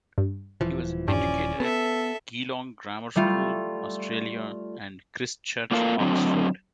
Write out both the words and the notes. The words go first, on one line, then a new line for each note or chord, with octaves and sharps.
He was educated at Geelong Grammar School, Australia and Christ Church, Oxford.
G2
D#1 E3 F3
G2 C#4 D5
B3 A4 E5
G3 A3 F4
A3 A#3 F4 A4 A#4 F5
D3 F#3 C4